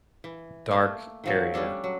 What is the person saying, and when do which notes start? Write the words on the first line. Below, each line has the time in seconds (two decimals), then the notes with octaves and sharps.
dark area.
0.24 E3
0.71 A3 A#3
1.24 D#3 F3 F#3
1.54 G3 C#4 D4 A4
1.84 F#3